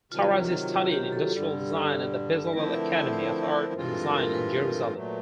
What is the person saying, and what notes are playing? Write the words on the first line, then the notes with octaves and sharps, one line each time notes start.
Tarazi studied industrial design at the Bezalel Academy of Art and Design in Jerusalem.
C3 D#3 F#3 F4
F#4
F4
G4
A4
G2 D3 G3
B4
D3 F3 A3 C4 E4 A#4
E5
C5
A#4
G2 E3 G#3 C4 F4
A4
A#4
A#4
B4
A#2 F#3 A3